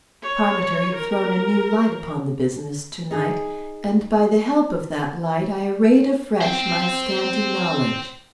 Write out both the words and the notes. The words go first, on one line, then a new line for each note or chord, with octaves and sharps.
Parmiter had thrown a new light upon the business tonight, and by the help of that light I arrayed afresh my scanty knowledge.
C#5
A#4
D#4 G#4
C5 G5